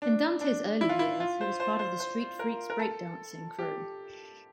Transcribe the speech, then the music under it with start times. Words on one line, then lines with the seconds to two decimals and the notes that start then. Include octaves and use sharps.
In Dante's early years, he was part of the Streat Freaks breakdancing crew.
0.02 D4
0.41 D4
0.81 E4
0.89 F4
0.99 E4
1.20 F4
1.41 C5
1.60 C5
1.79 C5
2.00 C5
2.39 A#4
2.70 A#4
2.80 A4
3.59 G4